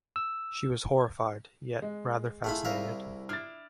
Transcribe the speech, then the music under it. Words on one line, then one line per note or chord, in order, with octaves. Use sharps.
She was horrified, yet rather fascinated.
E6
G#3
A3 E4 F4 G#4 B5
C2 A#4 E5 F5
D4 E4 F6 A6